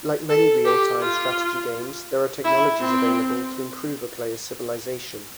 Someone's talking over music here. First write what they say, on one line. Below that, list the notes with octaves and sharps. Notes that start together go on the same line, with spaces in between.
Like many real-time strategy games, there are technologies available to improve a player's civilization.
A4
G4
F4
E4
C4